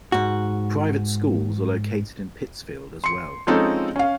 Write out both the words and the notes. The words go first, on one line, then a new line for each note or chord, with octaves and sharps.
Private schools are located in Pittsfield as well.
G#2 F#4
C6 C#7
F3 G#3 C4 C#4 D#4 A4
C#4 F5